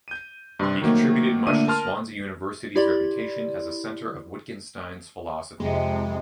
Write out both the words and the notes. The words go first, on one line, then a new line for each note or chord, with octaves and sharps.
He contributed much to Swansea University's reputation as a centre of Wittgenstein's philosophy.
G6 D#7
G2 C3 C6
D#3 F#3 A3 A#3 C4
A#2 D3 A3 A#3 D4 D#7
A#4 A5 C6 F6
E4 G4 D5 B5 C6
F2 C3 G#3